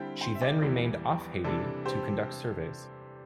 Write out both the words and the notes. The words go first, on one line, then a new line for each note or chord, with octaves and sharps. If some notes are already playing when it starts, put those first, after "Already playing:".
She then remained off Haiti to conduct surveys.
Already playing: D3 G3 C4 E4 G5 C6
G5 C6
E5
D5 G5
E2 E3 G3 E4
C3 E3 G3 D4 A4 D5
G4 C5